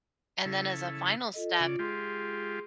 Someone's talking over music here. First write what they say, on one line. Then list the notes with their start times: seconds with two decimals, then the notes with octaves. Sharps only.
And then as a final step,
0.45 C#3 E4 A4
1.34 F4 A4 D#5
1.60 C#3 F4 D5
1.79 G#3 F4 G4 G#4 C6